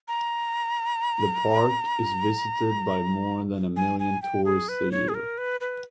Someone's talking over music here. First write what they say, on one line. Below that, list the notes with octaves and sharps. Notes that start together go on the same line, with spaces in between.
The Park is visited by more than a million tourists a year.
A#5
G#5
G#5
G5
G#4
B4
C#5
G#4
A#4
B4
B4